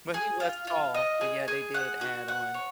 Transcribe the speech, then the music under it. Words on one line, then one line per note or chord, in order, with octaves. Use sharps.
but he was tall, but, yeah, they did add on
G#4
F4
F4
D#5
G#4
G#4
F#5
F#4
F#5
C#5